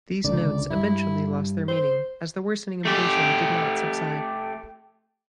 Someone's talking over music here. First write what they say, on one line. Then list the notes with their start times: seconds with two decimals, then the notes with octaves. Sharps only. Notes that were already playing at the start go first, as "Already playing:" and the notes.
These notes eventually lost their meaning as the worsening inflation did not subside.
0.24 C#2 D3 D5
0.70 G2 E4
1.68 C5
2.86 A3 G4